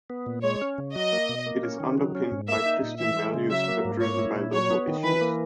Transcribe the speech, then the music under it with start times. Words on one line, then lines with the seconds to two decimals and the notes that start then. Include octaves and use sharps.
It is underpinned by Christian values but driven by local issues.
0.10 B3
0.26 A#2
0.43 G#3 C#5
0.62 C#4
0.78 C#3
0.95 F#3 D#5
1.13 A#3
1.29 B2
1.46 A#3
1.63 C#4
1.80 D#3
1.98 F#3
2.15 C#4
2.31 G#2
2.48 A#3 E5
2.66 D#4
2.83 A#2
3.00 E3 E5
3.17 G#3
3.34 C#3
3.51 F#3 E5
3.68 A#3
3.85 G#2
4.01 A#3 C#5
4.19 E4
4.36 A#2
4.52 F#3 C#5
4.71 B3
4.88 D#3
5.04 E3 B4
5.21 A#3